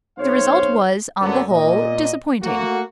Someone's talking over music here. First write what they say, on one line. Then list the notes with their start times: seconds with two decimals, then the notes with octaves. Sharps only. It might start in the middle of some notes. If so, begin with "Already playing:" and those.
The result was, on the whole, disappointing.
0.18 B1 C5 C#5 F5
1.21 F#2 D3 F#3 B3
1.49 A#2 D#5
2.43 A3 A#3 F#4